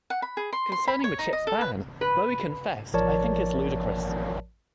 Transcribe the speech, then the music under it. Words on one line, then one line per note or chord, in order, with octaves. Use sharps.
Concerning the clip's ban, Bowie confessed, I think it's ludicrous.
F#5
B5
G#4
C6
C6
B5
C#5
D#4
D#5
A4
B4
B4
A1 F3 A#4 C#5 D5 A5